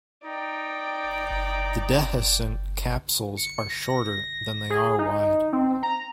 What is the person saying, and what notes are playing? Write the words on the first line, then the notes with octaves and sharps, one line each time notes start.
The dehiscent capsules are shorter than they are wide.
D#4 D5 G5
C#7
A#6
A#6
G#4
D#4
C4
A#5